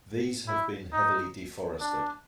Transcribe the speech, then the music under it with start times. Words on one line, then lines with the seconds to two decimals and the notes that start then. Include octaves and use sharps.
These have been heavily deforested.
0.48 E4
0.93 D#4
1.80 D4